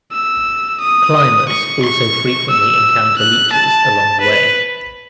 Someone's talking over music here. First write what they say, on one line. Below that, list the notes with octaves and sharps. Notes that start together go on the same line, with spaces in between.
Climbers also frequently encounter leeches along the way.
E6
D#6
C#6
C#6
E6
F#6
A5
B4